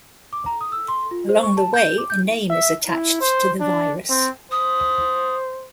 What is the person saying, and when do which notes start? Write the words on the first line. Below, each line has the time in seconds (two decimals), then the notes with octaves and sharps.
Along the way, a name is attached to the virus.
0.33 D6
0.46 A#5
0.61 D#6
0.72 E6
0.88 C6
1.11 F4
1.29 C5
1.43 C#6
1.57 A5
1.74 G6
1.98 D6
2.10 G6
2.50 E5
2.88 E4
3.21 C5
3.60 D4
4.09 C4
4.52 C5 D#6